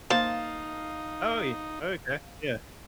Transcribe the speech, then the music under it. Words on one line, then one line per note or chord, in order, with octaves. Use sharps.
Oh, ye Okay, yeah.
A#3 D#4 C5 F5 A5